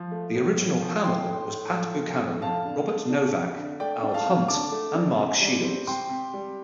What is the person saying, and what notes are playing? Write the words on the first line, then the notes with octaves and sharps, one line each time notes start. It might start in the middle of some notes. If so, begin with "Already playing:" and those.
The original panel was Pat Buchanan, Robert Novak, Al Hunt, and Mark Shields.
Already playing: F3
A3
A2
A2
F3
A3 G5 C6
A2
A2
F3
A3
A2
F2 F5 A5
D3
A3
D4
F2
D3
A3 D5 G5
D4
F5 A5
F2
D3 A5 D6
A3
D4
C3
G3
C4
C3 G5 C6
C3
G3